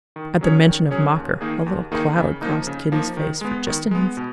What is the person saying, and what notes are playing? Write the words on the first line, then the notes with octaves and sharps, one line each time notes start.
At the mention of Mocker a little cloud crossed Kitty's face for just an instant.
D#3
F#3 C#4 G#4 C#5
D#3
F#3 C#4 G#4 C#5
D#2
D#3 A#3 D#4 G#4
D#2
D#3 A#3 D#4 G#4
C#3
F3 A#3 D#4
C#3
F3 A#3 D#4
D#3
G#3 B3
D#3
G#3 B3
B2